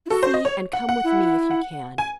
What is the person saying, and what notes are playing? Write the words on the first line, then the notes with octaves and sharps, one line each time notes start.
See and come with me if you can.
E4
F#4 A4
C5
D#5
C#5
F#5
F#5
E4
F#5
G#5